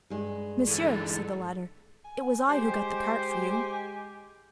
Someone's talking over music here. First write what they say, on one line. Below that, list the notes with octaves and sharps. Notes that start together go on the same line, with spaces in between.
"Monsieur," said the latter, "it was I who got the cart for you."
G2 G#3
D3 E3 A4
G#5
G#3 G4 C5